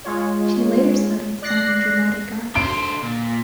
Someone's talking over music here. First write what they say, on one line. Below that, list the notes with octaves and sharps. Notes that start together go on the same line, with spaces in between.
She later studied fine and dramatic arts.
G#3 F4 C#5
D5 F#6 A#6 C7
D3 C5 D7
A#2